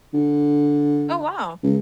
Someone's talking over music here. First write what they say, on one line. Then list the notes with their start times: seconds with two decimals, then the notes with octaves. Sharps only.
Oh, wow.
0.14 D3
1.63 C#2